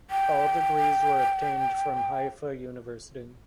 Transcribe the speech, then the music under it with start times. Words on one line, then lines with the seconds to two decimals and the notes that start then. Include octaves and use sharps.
All degrees were obtained from Haifa University.
0.10 G5